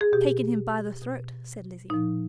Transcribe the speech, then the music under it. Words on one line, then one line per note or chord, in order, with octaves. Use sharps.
"Taken him by the throat," said Lizzie.
G#4
B2 G4
B2
A#2 F3 D#4